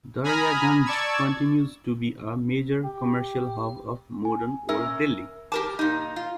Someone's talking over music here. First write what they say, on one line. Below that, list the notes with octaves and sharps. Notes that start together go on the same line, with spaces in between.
Daryaganj continues to be a major commercial hub of modern Old Delhi.
G#5 A#5 B5 D#6 F6
D5 A5 C#6 E6 G#6
G4
G#5
C#4 A#4 E5 E6
G4 A#4 A5 D6
A#2 D#4
F4